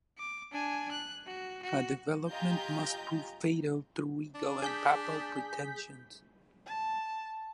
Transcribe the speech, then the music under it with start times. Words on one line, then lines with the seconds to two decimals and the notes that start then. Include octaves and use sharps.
A development must prove fatal to regal and papal pretensions.
0.18 D6
0.53 D4 G#5
0.92 F#6
1.26 F#4
1.63 F#4
2.30 F4 G4 D#5 G#5 A#5 G6
4.35 D4
4.62 G#4 G6 B6
6.66 A5